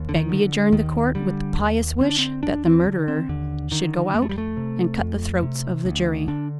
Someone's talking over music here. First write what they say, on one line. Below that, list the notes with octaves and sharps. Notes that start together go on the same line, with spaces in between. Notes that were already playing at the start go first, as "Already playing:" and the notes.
Begbie adjourned the court with the pious wish that the murderer should go out and cut the throats of the jury.
Already playing: D#2
D3
D#3
D3
D#2 D#3
D3 G3
D#2
D3 C4
D4
C4
D#2 D4
C4
D3
C4
D#2 D3
D3 D#3
F2 A#3
A3
G3
A3
C3
F2
C3
D2
D3 D4